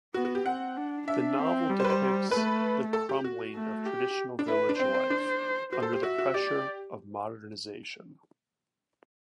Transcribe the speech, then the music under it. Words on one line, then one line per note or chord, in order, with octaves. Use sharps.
The novel depicts the crumbling of traditional village life under the pressure of modernisation.
B3 F#4
F#4
G4
C4 F#5
D4
D4 E5
C4
G3
C5
B4
C5
A3 B4
A4
G4
F#4
A3
G4
D4
E4 B4
D4
C4 C5
C4
D4
F#4 C5
A4
G4
F#4 E5
F#4
G4 D5